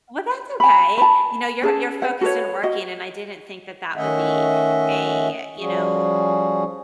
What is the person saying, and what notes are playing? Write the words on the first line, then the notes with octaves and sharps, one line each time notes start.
Well, that's okay, you know, you're you're focused on working, and I didn't think that that would be a, you know
G#5 B5
A5 B5
C#4 G#4 A4 A5
B4 F#5
F#4 A4 B4 C#5
F#4 D#5
D#3 A3 C#4 D#5 E5 F#5
F3 G3 C#4 F#4 G#4